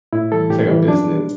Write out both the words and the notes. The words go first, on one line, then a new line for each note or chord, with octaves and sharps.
it's, like, a business
A2 E4
E3 G3 A4
A2 G4
E3 G3
B2 D4
G3